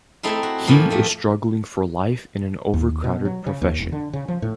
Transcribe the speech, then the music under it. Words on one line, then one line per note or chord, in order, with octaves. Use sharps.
He is struggling for life in an overcrowded profession.
A3 C4 D#4 E4
F#4
A2 E3 F3 A#3
F2 A3
D#2
B2
F#3
C#3
D#2
E1
D3
C#3
F3
A2